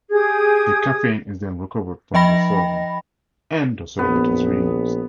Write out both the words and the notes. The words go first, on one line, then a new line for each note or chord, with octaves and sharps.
The caffeine is then recovered from the solvent, and the solvent is re-used.
G4 G#4 D#6 G#6
F3 D#5 G5 B5 A#6
A#1 B3